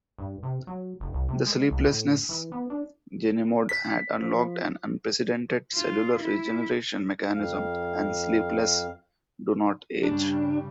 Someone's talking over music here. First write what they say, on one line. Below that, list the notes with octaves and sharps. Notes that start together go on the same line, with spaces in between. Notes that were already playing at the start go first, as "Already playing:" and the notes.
The sleeplessness genemod had unlocked an unprecedented cellular-regeneration mechanism, and Sleepless do not age.
G2
C3
F#3
F1
C2
C3
G#3
C2
A2
E3
B3
D4
B6
F3
F4
E4
F2 F5
G2 C#3 G3 D4